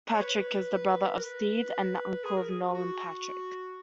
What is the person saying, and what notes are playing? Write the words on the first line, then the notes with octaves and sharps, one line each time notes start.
Patrick is the brother of Steve and the uncle of Nolan Patrick.
C#5
B4
A#4
B4
G#4
A#4
G#4
F#4
F#4